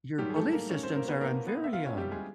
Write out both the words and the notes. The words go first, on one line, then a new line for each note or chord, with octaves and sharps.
your belief systems are on very, um
G#2 D#3 F#3 G3 G4
G#4
A3 A4
A#3 A#4
C#4 C#5
C4 C5
A#3 A#4
B3 B4
A#3 A#4
B3 B4
E5
F4 F5
C#4 C#5
G3 G4
G#3 G#4